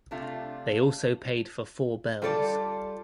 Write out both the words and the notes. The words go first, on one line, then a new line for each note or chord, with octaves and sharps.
They also paid for four bells.
C3 A3 D4 F4
G3 F4 A4 D5